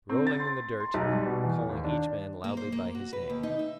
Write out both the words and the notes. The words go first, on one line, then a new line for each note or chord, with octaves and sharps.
'Rolling in the dirt, calling each man loudly by his name.'
C4
A6
C6
C6
B1
G3
B2
E2
D#2
D4
A#3
C5
A#3
F#4
B4
D#2
D#4
E5